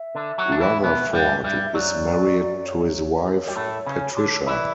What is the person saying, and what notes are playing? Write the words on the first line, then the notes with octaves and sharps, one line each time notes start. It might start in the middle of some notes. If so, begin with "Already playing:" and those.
Rutherford is married to his wife, Patricia.
Already playing: E5
D3 D4
F#3 F#4
D4
E3 E4
B2 B3
G2 G3
G2 G3
E5
F#2 F#3 D5
C#5
G3
A2 A3
C#3 C#4
D3 D4
E3 E4 D5